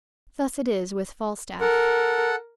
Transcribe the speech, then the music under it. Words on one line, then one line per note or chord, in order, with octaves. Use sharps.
Thus it is with Falstaff.
A4 A#4 F#5